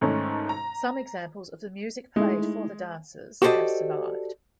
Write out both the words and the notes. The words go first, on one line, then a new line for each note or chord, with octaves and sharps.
Some examples of the music played for the dancers have survived.
G#2 D#3 A3 C#4 D#4
A#5
G#3 A3 D#4 E4
F#4 G4 A4 C5 D5 D#5